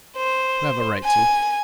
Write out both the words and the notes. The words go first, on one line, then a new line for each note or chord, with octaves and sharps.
You have a right to.
C5
G#5